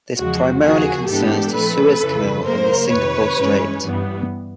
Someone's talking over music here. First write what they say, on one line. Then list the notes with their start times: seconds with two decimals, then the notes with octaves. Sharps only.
This primarily concerns the Suez Canal and the Singapore Strait.
0.18 E2 C#3 F3 G#3 F#4
0.63 D#2 C#3 F3 A#3 F#4 G#4
1.07 G#2 E3 G#3 B3 D4 G4 A4
1.53 A#2 F3 A3 C4 A4 B4
1.98 F2 C#3 E3
2.44 F#2 C#3 F#3 A#3 A#4 C5
2.89 F2 C3 D#3 B4 C#5
3.35 G2 E3 G#3 C#4
3.81 G2 E3 G3 B3